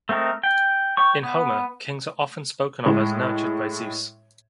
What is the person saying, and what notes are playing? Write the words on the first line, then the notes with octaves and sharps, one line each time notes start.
In Homer, kings are often spoken of as nurtured by Zeus.
A3 C4 A4 A#4 D#5
G5
C#5 G5 C#6
B3
A2 G#3